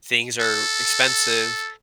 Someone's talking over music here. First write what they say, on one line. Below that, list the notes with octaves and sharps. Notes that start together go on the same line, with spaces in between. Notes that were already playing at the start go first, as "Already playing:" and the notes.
things are expensive,
A4